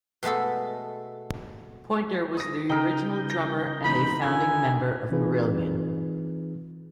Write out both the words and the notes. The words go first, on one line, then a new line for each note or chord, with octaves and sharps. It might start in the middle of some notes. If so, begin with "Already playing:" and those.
Pointer was the original drummer and a founding member of Marillion.
B2 G#3 A3 B3 A4
D#6 A#6
C#3 D#4 A#4 G5 G6
A#6
G#2 B2 E3 B5
D3 F4 G#5 E6
E3 C4 D#4 F4 G#4 B4